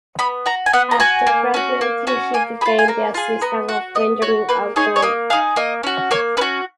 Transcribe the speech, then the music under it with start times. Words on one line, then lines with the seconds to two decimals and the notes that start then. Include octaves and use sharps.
After graduating, he became the assistant of Benjamin A. Gould.
0.19 B3 B5
0.46 F#4 A#5
0.66 G#5
0.73 B3 F#5
0.91 A#5
1.00 F#4 G#5
1.27 A#3
1.54 C#4 F#4
1.81 A#3
2.07 C#4 F#4
2.34 A#3 G#5
2.61 G#4 B5
2.66 F4
2.79 G#5
2.88 A#3 A#5
3.14 F4 G#4
3.41 B3 A#5
3.69 F#4 F#5
3.95 B3 D#5
4.22 F#4 C#5
4.49 A#3 B4
4.76 D#4 G#4 C#5
4.96 C#5
5.02 A#3 D#5
5.30 D#4 G#4 F5
5.56 A#3 D#5
5.83 C#4 F#4
6.11 A#3 C#5
6.37 C#4 B4
6.41 F#4